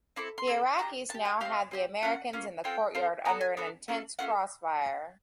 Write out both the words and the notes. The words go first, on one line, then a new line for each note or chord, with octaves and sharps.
The Iraqis now had the Americans in the courtyard under an intense crossfire.
C4 E4 A4 D6
C6
C4 E4 A4
D4 G4 A#5
D4 A5
G4
G5
C4 E4 G4 F5
C4 E4 G4
A#3 C#4 F4 F#5
A#3 C#4 F4
C4 F4 A4 G5
C4 F4 A4
B3 D4 F#4 A4 A#5
G#5
B3 D4 F#4 A4
A3 C#4 F4 A4
A3 C#4 F4 A4 F#5